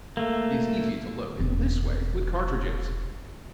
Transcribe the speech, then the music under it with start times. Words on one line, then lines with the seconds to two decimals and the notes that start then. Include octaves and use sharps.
It is easy to load in this way with cartridges.
0.17 A3 A#3
1.39 E1 C4